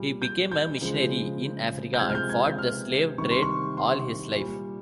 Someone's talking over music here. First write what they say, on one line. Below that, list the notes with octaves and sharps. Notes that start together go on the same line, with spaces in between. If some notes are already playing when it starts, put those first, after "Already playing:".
He became a missionary in Africa and fought the slave trade all his life.
Already playing: A#2 G3
G6
G6
C#3 F3 G#3
G6
C3 F3 G#3 G#6
F6
G6
G#6
G6
F6
C3 D#3 G3 C#6
C6
C#6
C6
A#2 G3